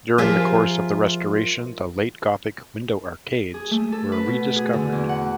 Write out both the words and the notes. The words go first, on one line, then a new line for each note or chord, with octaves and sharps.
During the course of the restoration the late-Gothic window-arcades were rediscovered.
F3 F4 G4 G#4 A#4 E5
G#4
A3
A4
B4
B2
G#4
D3
E2
F#5